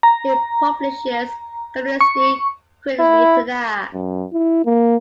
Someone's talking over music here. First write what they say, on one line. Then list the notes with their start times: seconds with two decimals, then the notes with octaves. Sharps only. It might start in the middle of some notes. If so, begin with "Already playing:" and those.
It publishes "Kommunisty Kyrgyzstana".
0.03 A#5
2.01 C#6
2.99 E4
3.93 F#2
4.32 E4
4.65 A#3